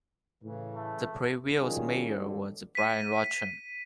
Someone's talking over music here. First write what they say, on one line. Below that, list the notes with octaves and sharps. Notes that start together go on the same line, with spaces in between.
The previous mayor was Brian Roczen.
A2 C#3 E3
A3
D#3 F#3 G3 C#4 F4 G#4
A1 D2 G2 D3 D#3 F#3
B6 D#7